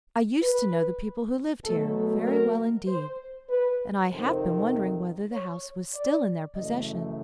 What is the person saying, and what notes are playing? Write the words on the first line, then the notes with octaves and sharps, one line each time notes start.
I used to know the people who lived here--very well indeed--and I have been wondering whether the house was still in their possession.
B4
B2 F#3 A3 A4
A4
A#4
C5
B4
F2 C3 D#3 C5
C#5
D5
F#2 C#3 E3 A3 D#5